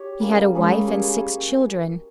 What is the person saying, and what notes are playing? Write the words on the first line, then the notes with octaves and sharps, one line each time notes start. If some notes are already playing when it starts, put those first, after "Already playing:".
He had a wife and six children.
Already playing: G4 C#5
G3 A#3 C#4 G#4
G3 G#3 A#3 C#4 G#4
G3 A#3 C#4 G#4